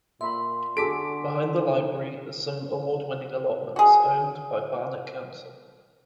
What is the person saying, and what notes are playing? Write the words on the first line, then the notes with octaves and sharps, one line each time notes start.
Behind the library are some award-winning allotments, owned by Barnet Council.
A#2 E5 B5 C6
D3 F#4 G#4 A4 D6 B6 D7
F#4 G#4